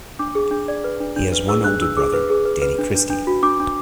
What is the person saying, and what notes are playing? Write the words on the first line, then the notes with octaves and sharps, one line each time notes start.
He has one older brother, Danny Christie.
D4 D6
G#4
D4
D5
B4
D4
D4
B4
G#4 E6
D4 F#6
D4 E6
G#4 D6
B4
G#4
B4
B4
D4
D4
D4
F#4
D4 D6
D4